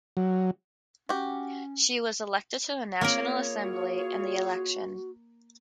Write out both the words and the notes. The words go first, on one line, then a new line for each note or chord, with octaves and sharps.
She was elected to the National Assembly in the election.
F#3
C#4 F#4 G4
A#3 C4 F4 G#4 A#4 C#5
F#4